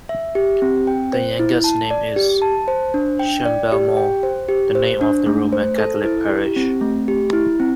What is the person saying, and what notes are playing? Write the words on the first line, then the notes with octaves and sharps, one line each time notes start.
The youngest name is Shanballymore, the name of the Roman Catholic parish.
E5
G4
C4
G5
C5
E4
A5
D5
G4
A5
C5
D4
G5
D5
G4
G5
C5
G4
C5
D4
A3
C5
A4
E4
G4
C4
A3
G4
E4
C4